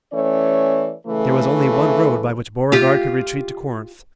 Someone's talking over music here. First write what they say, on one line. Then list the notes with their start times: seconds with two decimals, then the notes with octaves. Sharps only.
There was only one road by which Beauregard could retreat to Corinth.
0.13 E3 A3 C#4 C#5 D5
1.07 C#3 E3 A3
2.72 F4 G4